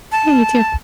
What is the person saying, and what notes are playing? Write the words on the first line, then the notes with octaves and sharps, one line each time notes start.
Yeah, you too.
A5